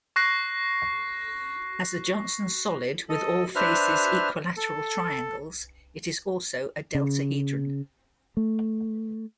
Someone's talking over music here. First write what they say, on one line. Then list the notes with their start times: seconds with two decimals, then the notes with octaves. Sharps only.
As a Johnson solid with all faces equilateral triangles, it is also a deltahedron.
0.16 C#6 F#6 A#6 C7
3.09 A4 D#5
3.55 D4 B4 C5 E5 F6
4.57 A4
6.95 C#3
8.37 A3